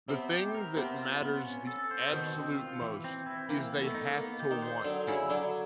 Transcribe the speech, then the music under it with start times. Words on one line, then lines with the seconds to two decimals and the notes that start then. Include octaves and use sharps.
The thing that matters the absolute most is they have to want to.
0.09 C3 B3 C4
0.31 G4
0.55 A#4
0.76 C3 B3 C4
0.99 F4
1.22 B3
1.44 C#4
1.67 A4
1.91 C5
2.08 C4
2.12 B2 D#3 B3
2.35 C4
2.59 F4
2.82 E3
3.04 C4
3.26 E4
3.49 E3 A#3
3.72 B3
3.83 A3
3.94 D#4
4.17 A#3 B3
4.40 G4
4.51 D#3 D#4
4.62 C5
4.85 D3 F#3 D4
5.07 C#3 C#4 E4
5.30 D3 F#3 D4